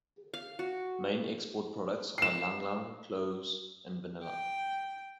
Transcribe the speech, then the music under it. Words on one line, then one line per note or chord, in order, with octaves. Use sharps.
Main export products are Ylang Ylang, cloves and vanilla.
F5
F#4
C7 E7
G5